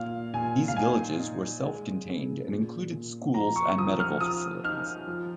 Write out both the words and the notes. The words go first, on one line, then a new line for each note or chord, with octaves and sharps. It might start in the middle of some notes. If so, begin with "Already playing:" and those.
These "villages" were self-contained and included schools and medical facilities.
Already playing: A#2 F5
A#2 G#5
F5
D#4 G#5
D#4
G#3
C#3
A#2
A#2
F3 A#5
C#6
F3 D#6
F6
F3 D#6
D#4 F6
F3